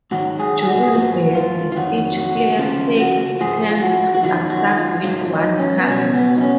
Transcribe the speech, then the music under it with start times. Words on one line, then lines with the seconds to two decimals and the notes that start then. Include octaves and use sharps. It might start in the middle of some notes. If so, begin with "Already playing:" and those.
During battle, each player takes turns to attack with one character.
0.11 G#2 D#3 F#3 F#4
0.40 G#4
0.62 G#4
0.67 F#4
0.83 G#4
0.94 G#2 F3 F#4
1.35 F4
1.72 F4
1.76 F2 D#3 F#3 F#4
2.17 F#4
2.58 D#2 C#3 F3 F4
3.00 F#4
3.41 G#2 F3 G#4
3.71 F4
3.82 F#4
4.15 F#4
4.22 F#2 D#3 F#3 F4
4.50 F#4
4.68 D#4
4.78 F4
5.04 G#2 D#3 F#3 F4
5.32 D#4
5.59 C#4
5.78 B3
5.87 C#2 B2 F#3 C#4
6.14 B3
6.37 D#4
6.41 C#4